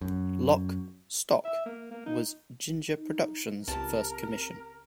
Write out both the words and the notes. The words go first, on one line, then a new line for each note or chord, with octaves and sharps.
"Lock, Stock..." was Ginger Productions' first commission.
F#2
E5
A#3
A#3
D#4
D#4
C#2 C4 G4 A#4 A5 A#5